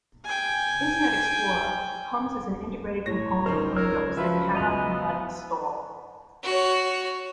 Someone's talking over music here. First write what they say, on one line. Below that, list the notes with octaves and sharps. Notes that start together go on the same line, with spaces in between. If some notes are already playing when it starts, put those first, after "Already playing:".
Internet Explorer comes as an integrated component of Windows that cannot be uninstalled.
G5 G#5
A2 C#5 A#6
C#2 C4 D#4 A#4 C5 A#5
A#4 C#5 E6 F6
F3 F#3 F4 B4 E5
B3 D#5 A#5
F#4 C#5